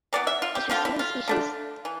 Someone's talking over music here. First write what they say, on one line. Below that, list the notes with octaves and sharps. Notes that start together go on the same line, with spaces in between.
It has seven species.
C3 E3 B3 D5
E5
F4
G4
D3 F3 C4 F4
E4
F4
D3 A3 D4
E3